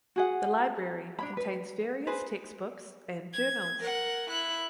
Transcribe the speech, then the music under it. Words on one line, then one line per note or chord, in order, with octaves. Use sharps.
The library contains various textbooks and journals.
F#4 G#4 F#5
D4 C#5 B5
B4
G#4 B4 C5
G#6
A#4 F#5
E4 F#6